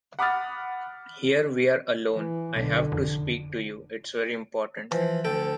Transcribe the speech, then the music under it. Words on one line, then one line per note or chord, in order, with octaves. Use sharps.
Here we are alone, I have to speak to you; it’s very important.
F#5 B5 D6 D#6 F6 A6
E3
B1 D3
F1
E3 F3
D2 A4 G5